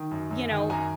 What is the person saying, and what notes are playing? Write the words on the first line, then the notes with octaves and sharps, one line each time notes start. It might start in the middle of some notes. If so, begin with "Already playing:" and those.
you know,
Already playing: D#3
F#2
F#2
D#3
F#2 G#5 A#5